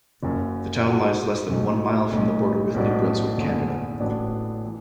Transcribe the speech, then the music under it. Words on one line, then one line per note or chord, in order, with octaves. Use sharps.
The town lies less than one mile from the border with New Brunswick, Canada.
F#1 F#2 F#3
B2 B3 F#4 A4
B1 B2 A3
B1 A2 A3
B1 A2 F#3 B3 D4
F#1 E2 D3
A1 A2 F#3 B3 D4
E3